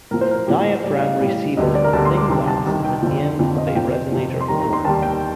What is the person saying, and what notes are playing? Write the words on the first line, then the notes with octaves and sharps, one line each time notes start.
A diaphragm receiver of thin glass is at the end of a resonator horn.
A2 F3 A#4
C5
A#4
A2 F3 G4
C5
A2 G3 D5
F5
D#5
A2 G3
D2 D3 G3 D#5
D5
A#4
D2 D3 G3 A5
C6
D6
C2 C3 D#3 C6
A5
C2 C3 D#3 A5
G5
F2 D3 F3
F2 D3 F3
D#5
F5
F2 C3 F3 G5
F2 C3 F3
C6
D#2 D#3 G3 A#5
A#5
C6
D#2 D#3 G3 A5
G5